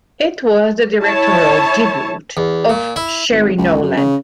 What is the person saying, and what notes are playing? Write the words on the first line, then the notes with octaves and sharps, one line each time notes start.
It was the directorial debut of Cherie Nowlan.
E4 C#5 A5
E2
A#2
E4
G#1
C#2
F#2
C#3